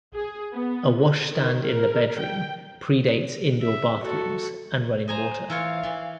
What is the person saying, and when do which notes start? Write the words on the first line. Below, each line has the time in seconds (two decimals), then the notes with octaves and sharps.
A washstand in the bedroom pre-dates indoor bathrooms and running water.
0.14 G#4
0.53 B3
0.98 D3
1.32 D#3
1.64 A#4
2.20 G5
3.61 E5
4.00 F#4 A4
5.08 C5 D#5 G#5 A#5
5.50 E3 F4 C#5 F5
5.83 E3 D5